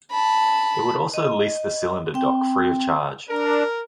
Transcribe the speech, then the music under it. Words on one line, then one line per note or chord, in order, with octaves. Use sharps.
It would also lease the cylinder dock free of charge.
A5 B5
D#5
C4 G5
D4 A#4